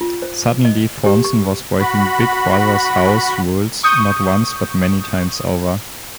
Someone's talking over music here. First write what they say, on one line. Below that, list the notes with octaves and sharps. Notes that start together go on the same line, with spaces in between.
Suddenly, Franzen was breaking Big Brother's house rules, not once, but many times over.
F4
C5
D#5
G4
C#6
F#4 B5
C#6 D#6 G6